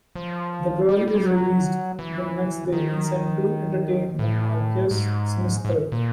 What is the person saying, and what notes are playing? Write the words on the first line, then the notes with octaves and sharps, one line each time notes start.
The girl is released the next day and sent to "entertain" the Marques Siniestro.
F3
G3
G3
F#3
E3
D#3
A2
G#2
G#2
A#2